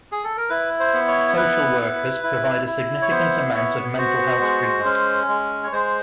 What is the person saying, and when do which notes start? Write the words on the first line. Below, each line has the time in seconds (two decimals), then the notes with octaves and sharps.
Social workers provide a significant amount of mental health treatment.
0.12 G#4
0.24 A4
0.37 A#4
0.49 E4 B4
0.80 C5
0.94 B3
1.08 C#5
1.37 E4 B4
1.81 E4
2.24 E4
2.67 E4
3.02 C#5
3.11 B3 C5
3.54 B3 C#5
3.98 F#4 C5
4.41 G#3
4.85 C#4
5.28 G#3
5.64 C#5
5.72 G#3 C5